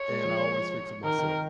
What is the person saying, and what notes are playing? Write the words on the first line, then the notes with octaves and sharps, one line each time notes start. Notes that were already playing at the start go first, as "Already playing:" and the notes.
and I always fix it myself.
Already playing: C#5
G#3
F3
D#3 A#4
D#3